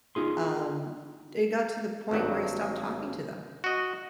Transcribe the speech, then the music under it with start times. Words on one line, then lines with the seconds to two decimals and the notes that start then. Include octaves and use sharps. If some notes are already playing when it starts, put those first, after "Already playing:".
um, it got to the point where he stopped talking to them.
0.15 D#4 F4 G#4 C6
2.11 G#1 G2 F#3
3.64 F#4 D#5